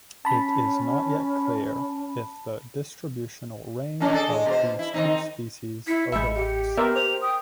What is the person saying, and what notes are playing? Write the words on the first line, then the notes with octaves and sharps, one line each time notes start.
It is not yet clear if the distributional range of these two species overlaps.
C#4 A5 B5
A#2 D#3 C#4
G#4 A4 D5
G#3
B2 A#4 C5
E4
D#3 C4 D#4
E4 B6 C#7
A1 G#3 E5 B5
G4
B3 A#4 D5 E5 C6
C5 F7
G5 D#6